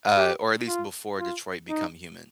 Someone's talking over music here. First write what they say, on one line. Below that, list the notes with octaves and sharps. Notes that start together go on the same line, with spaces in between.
uh, or at least before Detroit: Become Human,
G4
F4
F4
D#4